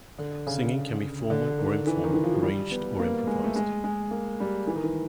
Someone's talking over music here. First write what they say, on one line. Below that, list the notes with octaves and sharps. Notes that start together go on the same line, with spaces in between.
Singing can be formal or informal, arranged or improvised.
D3
C#3
D3
D#3
E3
D#3
E3
F3
F#3
G3
B3
A#3
G#3
A3
G#3
G#3
A#3
G3
E3
D#3
E3